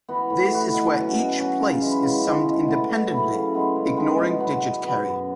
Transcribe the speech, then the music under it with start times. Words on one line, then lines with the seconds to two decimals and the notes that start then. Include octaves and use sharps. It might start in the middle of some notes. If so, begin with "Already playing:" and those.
This is where each place is summed independently, ignoring digit carry.
0.08 E3 B3 F#4
0.30 A2
0.51 E3 B3 F#4
0.73 B2
0.94 F#3 C#4 F#4
1.16 B2
1.37 F#3 C#4 F#4
1.59 C#3
1.81 E3 G#3
2.03 C#3
2.24 E3 G#3
2.45 B2
2.67 F#3 A3 E4
2.90 B2
3.11 F#3 A3 E4
3.32 C#3
3.54 G#3 B3
3.75 C#3
3.97 G#3 B3
4.19 B2
4.40 F#3 B3
4.62 B2
4.84 F#3 B3
5.05 F#2